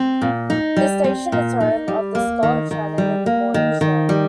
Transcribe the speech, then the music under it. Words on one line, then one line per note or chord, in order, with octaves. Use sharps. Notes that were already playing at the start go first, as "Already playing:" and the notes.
The station is the home of the "Scott Shannon in the Morning" show.
Already playing: C4
A#2
D#4
G3
C4
A#2
D#4
G3
A#3
D#3
D#3
G3
A#3
D#3
D#3
G3